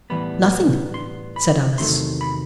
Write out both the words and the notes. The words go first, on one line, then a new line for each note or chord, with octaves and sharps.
'Nothing,' said Alice.
A2 E3 G3 B3 B5
C6
B5
E2 C3 D#3 F#3 A3 C6
B5